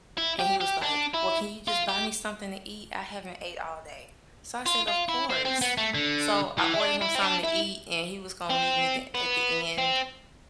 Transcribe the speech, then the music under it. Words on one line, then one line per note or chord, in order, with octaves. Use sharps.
and he was like, "Well, can you just buy me something to eat? I haven't ate all day." So I said, "Of course." So, I ordered him something to eat, and he was gonna meet me the at the end,
E4
G4
G4
D4
E4
F4
G4
F4
F4
E4
C4
C4
B3
A3
D3
E3
E4
D4
E4
C4
D4
E4
C4
B3
C4